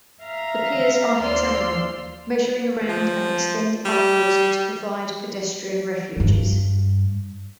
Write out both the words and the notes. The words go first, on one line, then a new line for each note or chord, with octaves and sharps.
The piers are hexagonal, measuring around and extend upwards to provide pedestrian refuges.
E5 F5 A#5
D#2 C5 D5 F5 C6 E6
F3
G3
G2 G3